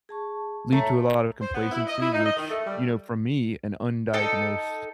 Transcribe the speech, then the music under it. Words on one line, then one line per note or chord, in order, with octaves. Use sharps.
lead to a lot of complacency, which, you know, for me, an undiagnosed
G#4 A5 C#6
A3 C#5 A#5
C5
B3
E4
D#5
E4
D#4
D#5
D#3
A3
G3
D#4 A4 G5